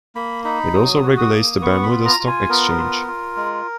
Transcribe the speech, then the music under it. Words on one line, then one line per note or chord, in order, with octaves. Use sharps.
It also regulates the Bermuda Stock Exchange.
A#3 B5
D#4 B5
F#3 D#6
F#4
D#6
A#3
B3 C#6
B5
F4
A#5
F4
G#5
B3 A#4
F4
F4
G#3